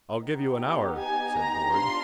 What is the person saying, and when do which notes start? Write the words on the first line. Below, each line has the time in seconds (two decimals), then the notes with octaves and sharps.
"I'll give you an hour," said Borg.
0.22 B3 D#4 G4
0.98 G#5
1.36 A#5
1.73 D4 F4 C6